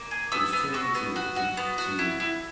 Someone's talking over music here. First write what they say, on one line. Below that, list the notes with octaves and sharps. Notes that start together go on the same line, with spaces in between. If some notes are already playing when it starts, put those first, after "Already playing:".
It was trained to to b to
Already playing: A#3
G#4
B3 E6
B3
F#4 E6
B3
F#4
F#4
B3
F#4
E4
E4